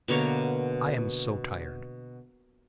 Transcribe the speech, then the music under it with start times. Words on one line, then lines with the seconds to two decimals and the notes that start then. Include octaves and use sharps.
I am so tired.
0.08 B2 D3 A#3 C#5